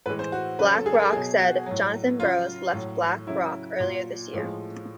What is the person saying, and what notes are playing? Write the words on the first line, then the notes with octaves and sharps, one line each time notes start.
BlackRock said: Jonathan Burrows left BlackRock earlier this year.
A2 E3 G#3 B4
C5
F#4
C#3 F#3 B4
A4
G#4
A#4
A4
B2 F#3 G#4
F#4
A2 F#3
C#3 F#3 F4
A2 F#3
C#3 F#3 E4
A#2 F#3
A2 F3 G#3